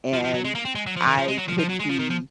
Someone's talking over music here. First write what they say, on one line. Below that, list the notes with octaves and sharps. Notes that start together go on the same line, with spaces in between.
and I could be,
F3
F3
F#3
G#3
A#3
C4
G#3
F#3
F3
D#3
F3
G#3
F#3
F3
F3
F#3
G#3
F3
D#3
F3